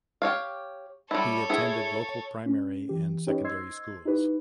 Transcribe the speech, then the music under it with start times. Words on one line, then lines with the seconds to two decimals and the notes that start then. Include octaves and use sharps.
He attended local primary and secondary schools.
0.22 G4 C#5 F5
1.11 G3 E4 A4 C#5
1.50 E4 G#4
2.46 C#4
2.89 E3 G4
3.27 C#4 D#4 G4 B4 C#5 D#5
3.44 C5 D#5 C6 E6 G#6 C7
4.05 D#4 E4 G4 B4